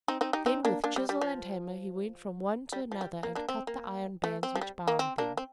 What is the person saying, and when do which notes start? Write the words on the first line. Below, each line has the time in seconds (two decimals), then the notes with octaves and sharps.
Then with chisel and hammer he went from one to another and cut the iron bands which bound them.
0.08 C4 D#4
0.21 C4 D#4
0.33 D#4 G4
0.46 C4 D#4
0.65 A#3 D4
0.84 A#3 D4
0.96 G3
1.09 G3
1.21 F3
2.72 G3
2.92 F3
3.01 G3
3.23 A#3
3.35 A#3 D4
3.49 C4
3.67 A#3
4.24 A3
4.43 C4
4.55 F3
4.61 G3
4.88 A#3
4.99 C4
5.18 A#3 D4
5.37 C4